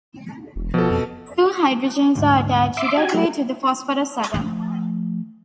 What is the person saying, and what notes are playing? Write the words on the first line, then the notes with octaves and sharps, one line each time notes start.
Two hydrogens are attached directly to the phosphorus atom.
E1
B2 F3 A4
F2
D2 G#2
E5 C6 D6
F#4 G4 G#5
F#3 A3
F3 A3